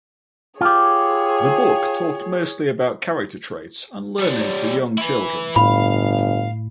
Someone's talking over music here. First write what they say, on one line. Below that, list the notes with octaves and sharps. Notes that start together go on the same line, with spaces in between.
The book talked mostly about character traits and learning for young children.
F4 G4 G#4 C#5
G3 C#5
E4 B4
G1 A2 F5 B5